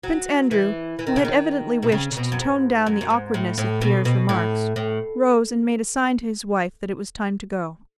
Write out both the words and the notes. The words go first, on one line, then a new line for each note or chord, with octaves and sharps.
Prince Andrew, who had evidently wished to tone down the awkwardness of Pierre's remarks, rose and made a sign to his wife that it was time to go.
F#3
E3
E3
D#3
C#3
D#3
B2
C#3
C#3
B2
F#2
G#2
F#2
F#2
G#2
A2
A2
B2
B2
A2
A2